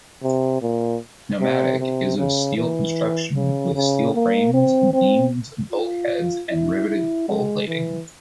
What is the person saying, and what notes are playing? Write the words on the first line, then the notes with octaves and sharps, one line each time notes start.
"Nomadic" is of steel construction, with steel frames, beams, bulkheads and riveted hull plating.
C3
A#2
C3
C3
C#3
E3
C#3
C#3
A#3
C4
C4
F4
E4
E4
G#3
E3